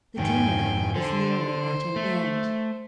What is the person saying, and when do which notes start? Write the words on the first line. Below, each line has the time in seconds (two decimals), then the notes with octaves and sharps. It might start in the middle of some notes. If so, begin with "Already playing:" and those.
The dinner is nearly at an end.
0.18 F2 G#2 D#3 G5 G#5
0.95 D3 A4 C5
1.96 A3